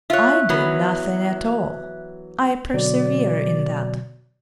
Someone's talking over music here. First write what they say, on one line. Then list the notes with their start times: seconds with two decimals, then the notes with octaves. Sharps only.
I do nothing at all, I persevere in that.
0.10 F4 C#5 E5 F#6
0.49 E3 F#3 B3
2.74 B2 D3 F#3 D5